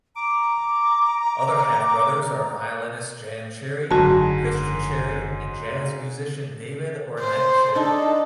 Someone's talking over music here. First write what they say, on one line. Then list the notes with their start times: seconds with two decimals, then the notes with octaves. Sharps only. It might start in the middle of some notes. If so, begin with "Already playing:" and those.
Other half-brothers are violinist Jan Cherry, Christian Cherry, and jazz musician David Ornette Cherry.
0.16 A#5 D6
3.91 F#1 G#2 D3 F#3 F#4 A5
7.20 C5
7.76 D4 D#4 A4